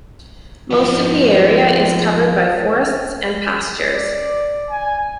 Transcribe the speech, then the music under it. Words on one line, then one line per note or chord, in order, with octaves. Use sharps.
Most of the area is covered by forests and pastures.
F3 B3
D5
G#5